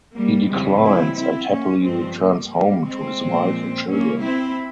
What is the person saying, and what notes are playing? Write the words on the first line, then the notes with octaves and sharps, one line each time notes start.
He declines and happily returns home to his wife and children.
G3 A#3
F2 C#3 E3 G3 G#3 C4
C4 E4
C4 E4
A#3 C#4
G2 F3 G#3 C4
G3 A#3
G3 A#3
G#3 C4
A#2 F3
A#3 C#4
C4 E4